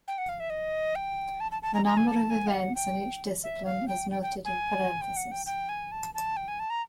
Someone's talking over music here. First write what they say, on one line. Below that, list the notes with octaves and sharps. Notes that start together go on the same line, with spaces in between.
The number of events in each discipline is noted in parentheses.
G5
F#5
F5
E5
D#5
G5
A5
A5
A5
A#5
A#5
G#5
A5
G#5
F5
F#5
G5
E5
F5
G5
G5
G5
G#5
G5
F#5
G5
G5
G#5
A5
A5
G5
G#5
A5
A#5